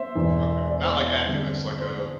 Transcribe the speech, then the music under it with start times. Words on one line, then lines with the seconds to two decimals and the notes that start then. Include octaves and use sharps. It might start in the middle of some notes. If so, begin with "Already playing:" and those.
Okay, not like activists like a
Already playing: C5 E5
0.15 E1 E2 E3
0.70 D5
0.83 C5
0.96 D5
1.25 G2 D3 G3 C4
1.80 C5
2.00 C5